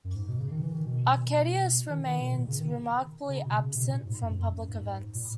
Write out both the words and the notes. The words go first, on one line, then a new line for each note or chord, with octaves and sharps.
Arcadius remained remarkably absent from public events.
F#2
G#2
B2
C#3
D#3
E3
D#3
B2
D#3
D#3
B2
A#2
C#3
D#3
C#3
B2
C#3
B2
A#2
G#2
F#2
F#2
F#2
G#2
A#2